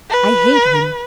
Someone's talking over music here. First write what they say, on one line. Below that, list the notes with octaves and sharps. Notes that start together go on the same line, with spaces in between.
"I hate him!"
B4